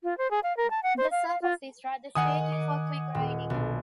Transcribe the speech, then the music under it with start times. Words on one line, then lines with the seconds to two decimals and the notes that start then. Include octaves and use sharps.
The surface is rather shaky for quick riding.
0.03 F4
0.18 C5
0.31 G#4
0.43 F5
0.57 A#4
0.70 A5
0.83 F#5
0.98 C5
1.11 F5
1.28 F5
1.42 F4
2.15 D#3 F#5 G#5 D#6
2.52 D6
3.15 D#1
3.50 B1 D4